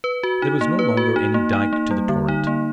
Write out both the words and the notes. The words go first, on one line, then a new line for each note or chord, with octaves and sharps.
There was no longer any dike to the torrent.
B4
F#4
D#4
A#3
B4
F#4
D#4
A#3
D#4
A#3
G3
D3
D#4
A#3